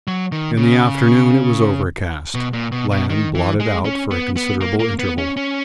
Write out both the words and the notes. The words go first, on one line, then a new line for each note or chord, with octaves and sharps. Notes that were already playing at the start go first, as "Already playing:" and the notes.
In the afternoon it was overcast; land blotted out for a considerable interval.
F#3
D#3
C#3
B2
A#2
B2
B2
D#3
E3
G#3
C#4
B3
B3
A#3
A#3
B3
C#4
C#4